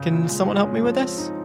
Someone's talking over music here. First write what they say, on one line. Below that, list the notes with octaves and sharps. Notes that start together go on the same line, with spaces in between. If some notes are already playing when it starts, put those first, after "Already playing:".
Can someone help me with this?
Already playing: C#3
A#2
G#3
G#3
C#4
F3
C4
D#4